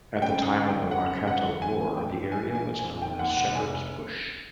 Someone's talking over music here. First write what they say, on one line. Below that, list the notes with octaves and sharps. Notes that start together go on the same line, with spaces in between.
At the time of the Waikato War, the area was known as Sheppards Bush.
C#3 G5
F#2
G1
G5
G1
C#3 F#5
F#2
G1 F#5
G1
E3 G#5
A2
A#1 G5
A#1
E3 G#5
A2
G#5
A#1
A#1 G#5
D#3 G5
D#2 F#5
F1 F#5
F1 G#5